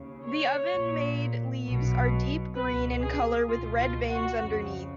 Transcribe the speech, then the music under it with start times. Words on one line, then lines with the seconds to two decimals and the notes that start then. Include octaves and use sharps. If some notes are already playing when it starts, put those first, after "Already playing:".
The oven-made leaves are deep green in color with red veins underneath.
Already playing: D#2 C#3
0.28 C#5
0.73 A#1 A#2
1.65 B1 B2
2.55 C#2 B2 B4
3.01 G#4
3.47 C#2 B2 F4
3.78 F4
4.09 F#4
4.39 F2 C#3